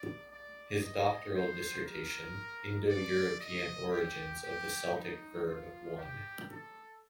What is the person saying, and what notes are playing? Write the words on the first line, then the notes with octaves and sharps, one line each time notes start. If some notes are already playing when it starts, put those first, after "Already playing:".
His doctoral dissertation, "Indo-European Origins of the Celtic Verb I".
Already playing: D5
D5
D#5
C5
A#4
D5
D#5
G4
G4
D#4
F4
G4
A4